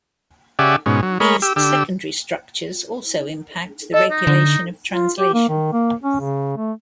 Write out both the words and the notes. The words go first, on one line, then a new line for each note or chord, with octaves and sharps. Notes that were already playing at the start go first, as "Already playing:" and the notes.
These secondary structures also impact the regulation of translation.
C#3 G4 D5 E5 F#5 G#5
G#2 B2 C#4
F#3
G#3 A#4 C#5 B5
G4 E6
D3 G4 E6
A4 D#5
D#4
D3
F4
G4
A#3
D#3
A#3
C#4
C#3
A3